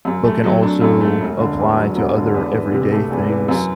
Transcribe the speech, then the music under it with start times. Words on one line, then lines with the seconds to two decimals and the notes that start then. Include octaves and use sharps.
but can also apply to other everyday things
0.05 F#2
0.24 A3
0.44 F#3
0.62 D4
0.81 F#2
1.01 A3
1.20 E1
1.39 D3
1.58 E2
1.77 F#3
1.96 E1
2.16 D3
2.34 E2
2.53 E3
2.72 C3
2.92 A3
3.10 E2
3.29 E3
3.48 F#2